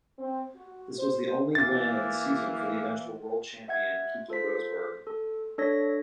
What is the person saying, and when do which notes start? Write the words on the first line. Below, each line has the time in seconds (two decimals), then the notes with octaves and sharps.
This was the only win of the season for eventual World Champion Keke Rosberg.
0.19 C4
0.56 F#4
1.00 C5
1.55 E3 A#3 A6
3.68 E5 F#5 G#6
4.28 F4 A4 C5 B6
5.07 A4
5.58 D4 A4 C#5 A#6 B6